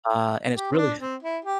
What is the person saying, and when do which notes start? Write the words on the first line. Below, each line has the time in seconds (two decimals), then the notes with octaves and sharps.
uh, and it's really
0.56 G4
0.72 C4
0.78 D4
1.00 C4
1.23 E4
1.45 G4